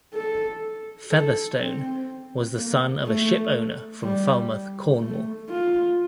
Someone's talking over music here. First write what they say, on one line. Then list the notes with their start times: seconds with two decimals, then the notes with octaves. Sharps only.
Featherstone was the son of a ship owner from Falmouth, Cornwall.
0.14 A4
1.11 A4
1.60 C4
2.57 A#3
3.06 A3
4.03 G3
5.01 A3
5.50 F4